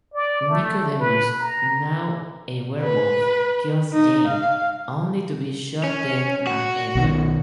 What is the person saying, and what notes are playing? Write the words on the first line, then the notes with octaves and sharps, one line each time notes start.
Nicodemus, now a werewolf, kills Jane, only to be shot dead by Edgar.
D5
A3
B4
A#5
B4
D#4
F5
C#4
F#4
B1 B2 D#3